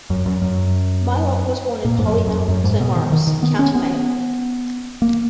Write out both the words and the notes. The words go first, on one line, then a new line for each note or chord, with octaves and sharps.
Mylott was born in Hollymount, Claremorris, County Mayo.
F#2
F#2
F#2
A#2
G#2
F#2
F#2
F#2
G#2
B2
D#3
D#3
D#3
B3
C#4
B3
A#3